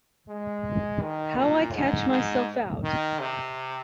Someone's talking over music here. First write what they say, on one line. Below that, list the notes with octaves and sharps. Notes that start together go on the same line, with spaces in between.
How I catch myself out!
G#3
D#3
A#2
G#2
G#2
D#3
C3